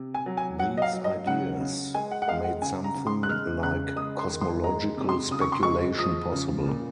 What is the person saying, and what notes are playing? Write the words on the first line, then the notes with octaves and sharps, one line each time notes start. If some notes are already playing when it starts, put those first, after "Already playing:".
These ideas made something like "cosmological" speculation possible.
Already playing: C3
G#5
F#3
G#5
F#3 F#5
D#5
F5
F#3
D#5
C#3 F#5
C#3
G#3 G#5
F#5
F#5
G#3 F5
F#5
C#3 G#5
A#5
C#3
C6
F#6
G#3 F6
C#3 F#6
G#3 D#6
C6
D#3
C6
G#3 A#5
C3
C6
C#3 D#6
C#6
C6
G#3 C#6
F3 D#6
C#3
A#2